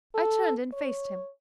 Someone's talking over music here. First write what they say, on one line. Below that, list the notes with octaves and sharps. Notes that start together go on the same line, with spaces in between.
I turned and faced him.
A4
C#5